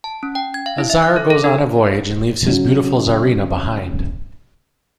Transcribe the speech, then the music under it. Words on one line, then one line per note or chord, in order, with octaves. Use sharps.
A tsar goes on a voyage and leaves his beautiful tsarina behind.
A5
C#4
G5
G#6
F5
E4
E5
F#6
A4
A4
D4
C#3 F#3